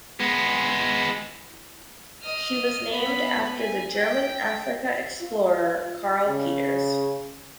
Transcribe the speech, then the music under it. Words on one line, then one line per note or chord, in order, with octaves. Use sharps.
She was named after the German Africa explorer Carl Peters.
G#3 B3
D#5 F6
B3 B5
G#5
G5
F4
C#3